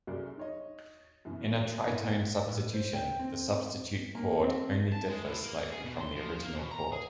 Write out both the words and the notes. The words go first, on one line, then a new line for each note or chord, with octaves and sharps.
In a "tritone substitution", the substitute chord only differs slightly from the original chord.
C2 F#2 G#4 A#4 D5
D#4 C#5 D#5
F#2 B2 E3
G1 G2 D3 E4 B4 G#6
A2
C5
G5
C4
A#3
C4
A5
G#3
A2
A#3
G#4
B2
C6
F3
A#3
B2
A#5
G#4